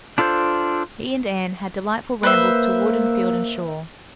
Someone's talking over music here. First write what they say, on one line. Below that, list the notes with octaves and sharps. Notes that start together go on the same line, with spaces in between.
He and Anne had delightful rambles to wood and field and shore.
D4 F4 A4 B4 C5
A#3 B4 C5 E5